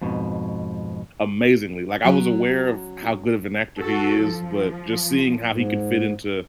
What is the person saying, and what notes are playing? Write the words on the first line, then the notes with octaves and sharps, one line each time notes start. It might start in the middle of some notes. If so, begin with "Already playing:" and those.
amazingly, like, I was aware of how good of an actor he is, but just seeing how he could fit into,
F2 G#2 B2
F#3 C#4
F#4 A4
F3
G#2